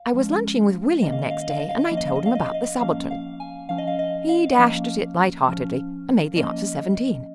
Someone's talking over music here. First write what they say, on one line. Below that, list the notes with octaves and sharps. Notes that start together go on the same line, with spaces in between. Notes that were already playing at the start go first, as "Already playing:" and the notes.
I was lunching with William next day, and I told him about the subaltern. He dashed at it lightheartedly and made the answer seventeen.
Already playing: F5
F3 G#3 C#4
D#3 A#3 C#4 D#5
F5
D#5
F5
D#5
F5
D#5
F5
D#5
F3 A#3 C#4 F5
D#5
F5
D#5
F5
D#5
F5
D#5
F3 A#3 C#4 F5
F5
G#5
F3 C#4 F5
D#5
F5
D#5
F5
F3 A#3 C#4
F3 C#4
F3 A#3 C#4 D#5